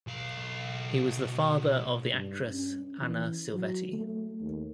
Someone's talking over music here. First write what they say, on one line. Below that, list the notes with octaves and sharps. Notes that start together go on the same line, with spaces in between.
He was the father of the actress Anna Silvetti.
B1 F5
G2
C#4
E3
F#3
A3
D#2